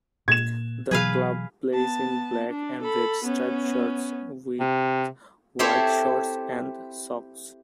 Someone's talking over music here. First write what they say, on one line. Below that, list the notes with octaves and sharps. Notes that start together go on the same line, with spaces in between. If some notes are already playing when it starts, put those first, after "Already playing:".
The club plays in black and red stripe shirts with white shorts and socks.
A#2 G#6 E7
B2 E3 F#3 G#4 B4 F5
B3 A5
D4
A4 B5
B3 C#4
C3
C4 E4 G4 A4 C5 C#5